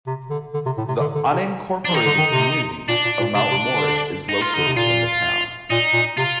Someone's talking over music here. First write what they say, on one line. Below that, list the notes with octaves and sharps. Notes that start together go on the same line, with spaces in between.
The unincorporated community of Mount Morris is located in the town.
C3
D3
D3
C3
A2
C3
D3
D3
C3
F3 D4
D#3 D#4
D3
D#3
C3
A#2 D4
A#2
A#2
C3 D4
C3
D3
D#4
F4
D3 D#4
C3
A#2 F4
A#2 D#4
A#2
C3 F4